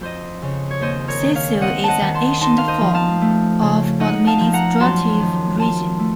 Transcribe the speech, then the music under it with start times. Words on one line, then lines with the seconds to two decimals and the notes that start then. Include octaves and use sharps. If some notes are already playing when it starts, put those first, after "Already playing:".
Syssel is an ancient form of administrative region.
0.01 F2 C5 D#5
0.42 C#3
0.71 C#5
0.81 D#2 C5 D#5
1.08 A#4 C#5
1.21 D#3
1.35 C#5 F5
1.61 C4 D#5 F#5
1.84 D#5 F#5 A5
2.01 D#3
2.14 A5 C6
2.41 D#4 A5 C6
2.58 F5
2.68 C5 D#5
2.81 F3
2.94 F5 A5
3.21 A3
3.61 C#3
4.00 D#4 D#5 F#5
4.27 F5 A5
4.41 F3
4.53 F#5 A#5
4.80 F#2 A5 C6
5.20 D#3
5.57 F4 A5 C6
5.99 A3